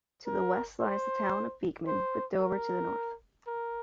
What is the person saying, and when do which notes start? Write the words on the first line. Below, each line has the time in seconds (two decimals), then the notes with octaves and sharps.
To the west lies the town of Beekman, with Dover to the north.
0.27 A#4
0.80 C5
1.87 C5
2.40 A#4
3.47 A#4